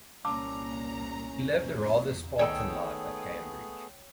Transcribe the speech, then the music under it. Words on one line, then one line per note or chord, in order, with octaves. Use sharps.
He lived a rather Spartan life at Cambridge.
C2 A#2 C#4 A5 A#5 D6 E6
D#3 A3 B3 G#4 A4 C#5 G5 E6